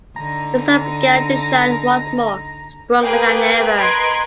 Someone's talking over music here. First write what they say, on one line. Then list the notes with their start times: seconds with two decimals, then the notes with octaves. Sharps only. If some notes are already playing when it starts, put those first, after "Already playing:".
The sun began to shine once more, stronger than ever.
0.17 D3 D#4 A#5
3.02 A#3 G#4 B4 G5
3.75 B4 D#5 A#5 C6 G#6 D7